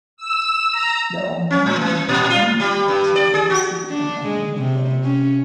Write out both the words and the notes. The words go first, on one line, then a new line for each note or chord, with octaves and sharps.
There are many interossei in a human body.
E6
A#5
C#4
A2
E3
A#2
F4
G3
G2
D5
G#4
F#4
D4
G#3
C3
C#4